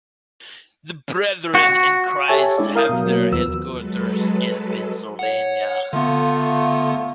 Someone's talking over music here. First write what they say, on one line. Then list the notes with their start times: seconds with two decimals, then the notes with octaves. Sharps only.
The Brethren in Christ have their headquarters in Pennsylvania.
1.55 F#4
2.28 G4 A4 C#5 E5 G#5 A5
2.58 G#3 D4 E4 D5 E5
2.76 A#4 F5 D#6 G6
2.89 B2 F#3
3.06 F#3 A#3
3.32 D#2 F3 B3 E6
3.73 F#3 G#3 A4 B4
5.19 C#5 F#5
5.93 D3 A3 B3 F4 F5